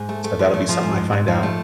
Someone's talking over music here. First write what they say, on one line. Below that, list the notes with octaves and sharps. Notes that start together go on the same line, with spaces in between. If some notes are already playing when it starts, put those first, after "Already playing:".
So, that'll be something I find out.
Already playing: G#2
A3
A3
F3
A3
F3
G#2
G#2
G#2
F3
A3